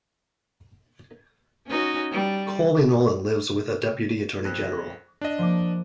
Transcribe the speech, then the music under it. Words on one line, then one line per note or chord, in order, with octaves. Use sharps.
Colby Nolan lives with a deputy attorney general.
C#4 D#4 F#4
G3
F2 F#6 A#6
D4 D#5
F3 A#3 D6